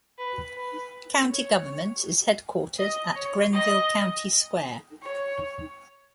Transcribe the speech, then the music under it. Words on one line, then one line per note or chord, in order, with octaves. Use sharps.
County government is headquartered at Greenville County Square.
B4
B4
C#5
D#5
C#5
D#5
C#5